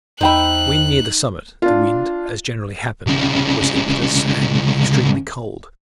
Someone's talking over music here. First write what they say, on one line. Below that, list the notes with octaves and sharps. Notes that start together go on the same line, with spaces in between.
When near the summit, the wind, as generally happens, was impetuous and extremely cold.
E2 D#4 C5 E5 G5 B5 F#6
D4 F4
C2 C#3